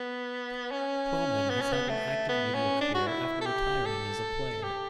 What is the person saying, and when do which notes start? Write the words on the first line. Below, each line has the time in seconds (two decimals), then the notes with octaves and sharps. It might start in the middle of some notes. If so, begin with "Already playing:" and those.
Twellman has had an active media career after retiring as a player.
Already playing: B3
0.71 C#4
1.50 B3
1.61 C#4
1.73 B3
1.89 A3
2.29 B3
2.55 C#4
2.81 D4
2.95 F#4
3.07 E4
3.41 A4
3.46 G4
3.86 A4
4.63 G4